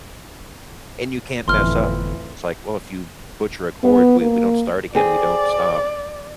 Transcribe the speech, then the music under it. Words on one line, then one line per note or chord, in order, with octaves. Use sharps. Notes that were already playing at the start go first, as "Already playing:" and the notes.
and you can't mess up, it's like, well, if you butcher a chord, we we don't start again, we don't stop,
G1 F2 A2 E3 C6 F6
B3
A#3
C4 G#4 D5